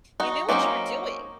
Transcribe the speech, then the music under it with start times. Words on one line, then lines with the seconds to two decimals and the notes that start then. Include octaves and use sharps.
you knew what you were doing.
0.20 D#4 F#4
0.49 F#3 A#3 C4 C#4 D#4